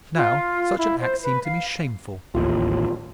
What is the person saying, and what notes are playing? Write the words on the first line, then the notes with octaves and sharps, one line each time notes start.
Now, such an act seemed to me shameful.
F4
E4
C5
B4
F5
D1 A1 D#2 F4